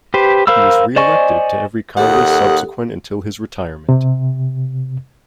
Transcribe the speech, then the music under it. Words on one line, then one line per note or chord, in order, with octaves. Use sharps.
He was re-elected to every Congress subsequent until his retirement.
G4 B4 C5
A#4 C5 F5 B5 E6
C5 D5 D#5 G#5 C#6
D#2 G4 A4 F#5 D#6
C3